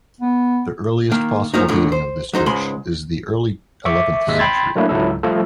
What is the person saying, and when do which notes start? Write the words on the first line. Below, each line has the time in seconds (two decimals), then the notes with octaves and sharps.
The earliest possible dating of this church is the early eleventh century.
0.21 B3
1.11 D#3 A#3
1.54 F3 F#3 A#3 D#4
1.68 D#2 A2 D3
1.92 C5
2.33 F#3 D#4 C5
2.46 C#2 G#2 G#3 B5 C6
3.85 E5 C#6 D6
4.27 G#1 D#2 G#3 E5
4.39 G5 B5 C6 G#6 A6
4.75 F#3 A3 A#3 D4 E4
4.89 C#2 G#2 F#3 E4 A4
5.23 F3 G3 A3 F4 A4